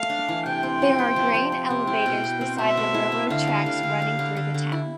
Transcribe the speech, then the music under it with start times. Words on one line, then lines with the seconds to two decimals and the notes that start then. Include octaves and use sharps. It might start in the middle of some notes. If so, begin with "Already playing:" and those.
There are grain elevators beside the railroad tracks running through town.
Already playing: A3 F5
0.10 D4
0.29 E3
0.46 C3 G5
0.63 C4
0.82 F3
0.98 C4
1.16 F3
1.34 F3
1.52 C4
1.70 C3
1.87 E4 G5
2.06 B2
2.24 B2
2.41 C4
2.58 B2 E5
2.77 A3
2.94 E4
3.12 A3
3.30 D3 F5
3.47 G3
3.66 D3
3.83 D3
4.02 G3
4.19 D3
4.37 D3
4.54 D3
4.72 E4